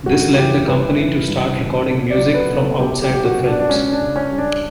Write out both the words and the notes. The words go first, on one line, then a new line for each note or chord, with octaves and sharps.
This led the company to start recording music from outside the films.
G2 F#4
E3 G4
G2 B4
E3
G2
A1
B2
D5
F#3
B4
B2
A4
B1 G4
G4
F#3
G4
F#4
B2
D4
D4
C#2 C#4
D4
C#3
C#4
G3
D4